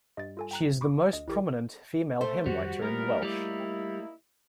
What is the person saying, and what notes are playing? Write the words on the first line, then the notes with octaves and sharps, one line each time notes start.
She is the most prominent female hymn-writer in Welsh.
G2 D#5 A6
F4 A4 G#5
G5 A#5 F#6
B5 C#6 D6
D2 D#5
A1 E4 G4 A#4
A3 C5
F2 D#3 G3 F#4
E3 A3 B3 A#4
G3 A#3 D#4 E4 D5